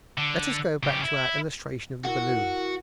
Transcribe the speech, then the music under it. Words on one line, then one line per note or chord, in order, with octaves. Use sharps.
Let us go back to our illustration of the balloon.
D3
C#3 G4
E4
E4 F#4 A#4 F#5